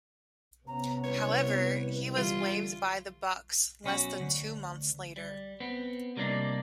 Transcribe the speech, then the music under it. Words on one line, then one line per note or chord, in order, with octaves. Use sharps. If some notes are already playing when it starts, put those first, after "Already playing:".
However, he was waived by the Bucks less than two months later.
C3 B3 C#4 A#5
C2 B4 C#5
D3 E3 G3 F4
B1 C#4 F#4
D2
G3
B3 C4
C3 G3 A#3 D4 D#4